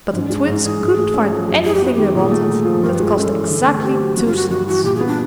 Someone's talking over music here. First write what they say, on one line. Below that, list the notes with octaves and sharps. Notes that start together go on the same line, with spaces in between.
But the Twins couldn't find anything they wanted that cost exactly two cents.
G#2 C#4
G#3 D4
G#2 D#4
E3 G#4
G#2
A3
C#4
F3
F#2
G3 G#4
G4
B3 F#4
D#3 G4
A#2 G#4
A3
A#2
F3
G2 A#4
B4
G#3
F4
C#4 A4
E3
D3
A3
G#4
C4 G4
F#3
G2 F#4
F4
G3 F#4
G2 F#4
E3 F#4
A#2 G4
G#4
B3
D4